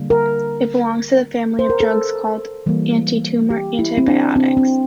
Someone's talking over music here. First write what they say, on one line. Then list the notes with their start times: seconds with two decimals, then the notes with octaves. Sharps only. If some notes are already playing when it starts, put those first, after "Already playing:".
It belongs to the family of drugs called antitumor antibiotics.
Already playing: D3 G3 A#3
0.10 A#4
1.59 C5
1.70 A#4
1.80 A4
2.66 E3 G3 A#3
3.50 G4
3.79 E4
3.98 C4
4.08 D4
4.36 C4
4.57 C4